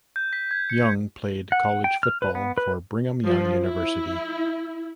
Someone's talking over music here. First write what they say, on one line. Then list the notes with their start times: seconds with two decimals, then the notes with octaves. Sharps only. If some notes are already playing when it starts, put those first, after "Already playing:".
Young played college football for Brigham Young University.
0.16 G6
0.33 B6
0.51 G#6
0.70 C#7
1.52 F#5
1.84 G5
2.03 F6
2.22 B4
2.35 B3
2.58 B4
3.26 F3
3.62 E4